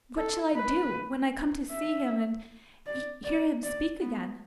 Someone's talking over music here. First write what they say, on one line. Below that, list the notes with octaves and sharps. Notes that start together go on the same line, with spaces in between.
What shall I do when I come to see him and hear him speak again!'
A4
B4
E5
D5
D5
D5
B3